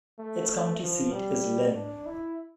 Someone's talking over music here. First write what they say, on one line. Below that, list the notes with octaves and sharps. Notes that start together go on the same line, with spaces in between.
Its county seat is Linn.
A3
F3
G3
D4
E4